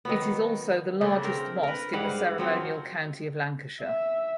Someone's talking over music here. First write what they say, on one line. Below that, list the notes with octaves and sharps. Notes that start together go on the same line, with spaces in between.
It is also the largest mosque in the ceremonial county of Lancashire.
D#3 F#3 B3
C#3 A3 D4
C4 A#4
A#4 B4
G#2 G3 F5 F#5
F3 F#3 C4
E5